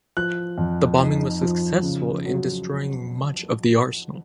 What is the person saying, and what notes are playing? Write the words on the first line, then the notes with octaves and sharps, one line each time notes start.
The bombing was successful in destroying much of the arsenal.
F3 F#6
F2
D#4
F3
C#3
F#3